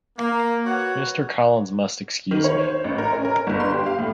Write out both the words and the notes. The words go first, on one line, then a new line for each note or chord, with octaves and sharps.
Mr. Collins must excuse me.
A#3
F#4 B4 C#5 F#5
D#3
C#5
C5
A1
A#4
C#4
A#4
G1
C6
G4
F5
A2